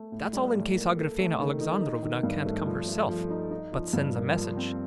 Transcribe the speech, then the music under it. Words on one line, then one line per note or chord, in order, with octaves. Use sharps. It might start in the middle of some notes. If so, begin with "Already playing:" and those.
That's all in case Agrafena Alexandrovna can't come herself, but sends a message.
Already playing: A3
A2
G3
A2
A#3
A4
A3
D#3
D#4
D#4
D#3
G2
A3
F3
A3
F3
D#4
D#4
F3
G2
A#3
F3
C4